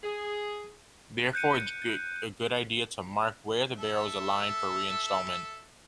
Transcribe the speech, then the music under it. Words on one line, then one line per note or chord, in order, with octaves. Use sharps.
Therefore, it's a good idea to "mark" where the barrel is aligned for reinstallment.
G#4
F#6 G6 C#7 D#7
A4 E5